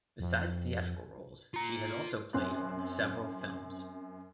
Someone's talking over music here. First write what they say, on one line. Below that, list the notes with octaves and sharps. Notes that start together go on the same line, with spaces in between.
Besides theatrical roles she has also played on several films.
F2
F4 A#5
F#2 C4 F#6